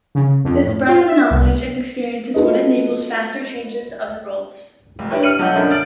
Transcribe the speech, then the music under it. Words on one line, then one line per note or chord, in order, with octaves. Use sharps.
This breadth of knowledge and experience is what enables faster changes to other roles.
C#3
F2
A2
F4
E5
C2
F4 F#4 A4 B4 C5 D#5
F1
D4 E4 G4 B4 C#5
F6 C#7 D#7 F#7
B1 F#3 A4 D#5 F#5 G6
F#2 D3 A#3 D4 E5
F6 A6 D7 F#7